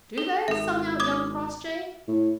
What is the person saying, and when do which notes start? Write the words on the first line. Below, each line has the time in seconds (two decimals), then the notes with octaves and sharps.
"Do they?" sung out young Crossjay.
0.18 A4 G7
0.48 G#1 A4 E5
1.00 D6 D#6 G#6
2.08 A2